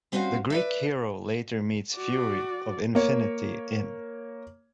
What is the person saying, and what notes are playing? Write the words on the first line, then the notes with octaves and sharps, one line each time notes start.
The Greek hero later meets Fury of Infinity In.
G3 C4 C#4 F#4 C5 F5
B4 D5 E5
F#4 D5
A#3 C#5